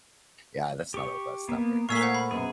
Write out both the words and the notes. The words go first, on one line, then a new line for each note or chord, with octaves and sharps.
Yeah, that's not o that's not very much fun.
G4 C#6
A#3 B3
A#2 A3 A#4 F5 G#5 C#6 E6 B6
C5 F#5
B5
F#2 B2 B3 G#4